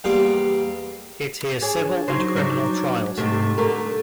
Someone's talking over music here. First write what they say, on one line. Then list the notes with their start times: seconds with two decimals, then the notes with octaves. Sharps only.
It hears civil and criminal trials.
0.04 E2 G3 A#3 G4 C6
1.61 D4 G#4 C#5
2.08 F#3 D#4 C5
2.36 F#3 D4 D#4
3.17 G#2 C3 A3
3.58 D3 A3 A#4